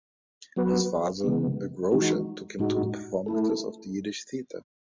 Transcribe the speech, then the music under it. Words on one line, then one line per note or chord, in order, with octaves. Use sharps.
His father, a grocer, took him to performances of the Yiddish theater.
F#3 B3 F#4 B4
C#3 E3 G#3 B3
E3 G#3 D#4 F#4
A2 G#3 D#4 F#4
A3 E4 A4